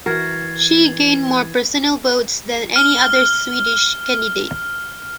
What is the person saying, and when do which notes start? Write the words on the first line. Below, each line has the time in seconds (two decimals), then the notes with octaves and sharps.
She gained more personal votes than any other Swedish candidate.
0.06 E3 F#4 A#4 G#6 A6 C7
2.76 F6 G7